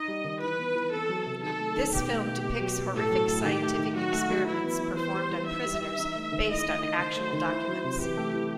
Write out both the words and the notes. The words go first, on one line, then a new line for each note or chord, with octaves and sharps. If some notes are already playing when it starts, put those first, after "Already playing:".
This film depicts horrific scientific experiments performed on prisoners based on actual documents.
Already playing: D#4 D#5
G3
D#3
E3 B4
B3
E3
C4 A4
F#3
C3
D#3 A4
A3
D#3
B2 G4
A3
B2
B2
F#3
B2
A2 A4
F#3
A2
D#3 G4
A3
D#3
F#3 F#4
A3
F#3
E3 E4
B3
E3
E3 C5
G3
E3
D#4 E5
G3
E3
D#4
A3
D#3
E4 D#5
A3
D#3
D#3 C5
A3
D#3
E4
F#3
C3
E3 G4
A3
E3